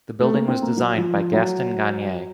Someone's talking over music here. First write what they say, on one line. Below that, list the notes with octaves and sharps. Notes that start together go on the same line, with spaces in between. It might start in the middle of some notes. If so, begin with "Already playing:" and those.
The building was designed by Gaston Gagnier.
A3
A#3
C4
A#3
F#3
F3
F3
F#3